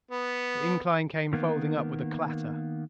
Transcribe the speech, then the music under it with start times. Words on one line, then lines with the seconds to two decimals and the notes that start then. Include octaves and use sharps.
The incline came folding up with a clatter.
0.11 B3
1.33 D#3 A#3 B3